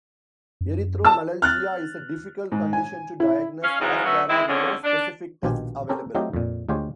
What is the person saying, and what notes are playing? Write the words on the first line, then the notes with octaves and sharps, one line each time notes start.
Erythromelalgia is a difficult condition to diagnose as there are no specific tests available.
F#2
A5 E6
F6 F#6 A6
G#2
G#5
E4
C#4 F5
G#2 C#3 E3 F#3 G#3
F#3 A3 B3 C#4
G#3 C4 E4
F2 D3 G#3 C#4
D4
A#1 B2 D#3 F4 G4 G#5
C4 C#4 G4 A4 A#4
F#3 A3 C4 D#4 F4 G4
F2 A#2
D2 G#3 F4 G4 C5 C#5